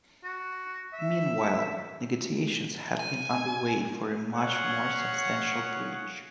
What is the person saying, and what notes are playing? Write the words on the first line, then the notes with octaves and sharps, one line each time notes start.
Meanwhile, negotiations had been underway for a much more substantial bridge.
F#4
E5
G#5
C#4 F#4 G#4 C#5 F5 F#5